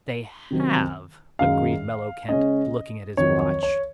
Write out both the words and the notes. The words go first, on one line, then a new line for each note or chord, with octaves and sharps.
"They have," agreed Mellowkent, looking at his watch.
C3 D#3 F#3 C4
F#2 D#3 G#3 F5
C#3 G#3 C#4 D#5
F2 D#3 F#3 C#5
C#5
C#5